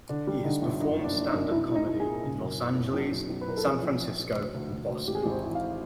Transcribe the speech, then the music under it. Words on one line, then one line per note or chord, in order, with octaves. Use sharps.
He has performed stand-up comedy in Los Angeles, San Francisco, and Boston.
D3 D4
G3
D3 D#4
G1
F#2 D#4
F#1
D4
F#1
D#4
F#2
C2 E4
C2
D#4
C2
G#4
A#2
C#3
F#2
F#1
F#1
B1
B1
B1
B4
B1 A#4
A4
F3 G#4
A#1
F3
A#1
D2
D2
D2
D2
G#1 G4
G#4
G#1 G4
C5
E3
F5